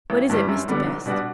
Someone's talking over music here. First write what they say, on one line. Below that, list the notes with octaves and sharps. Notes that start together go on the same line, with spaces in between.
"What is it, Mr. Best?"
A1
G2 E3 G3
F#2
D3 G3 B3 D4
B1
B2 G3 D4 F#4